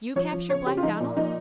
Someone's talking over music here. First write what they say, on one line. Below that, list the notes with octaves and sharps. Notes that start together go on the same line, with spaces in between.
You capture Black Donald!
F3 C#5
F3
C#3 C#5
C#3 G4
F4
F3 D#4
A#2
F3 D#4